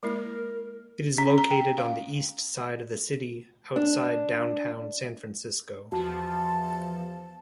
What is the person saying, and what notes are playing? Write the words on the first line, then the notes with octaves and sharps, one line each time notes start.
It is located on the east side of the city, outside Downtown San Francisco.
G#3 A#3 E4 A#4
C#4
A#5
G5
F5
D4
E2 F3 F#4 A5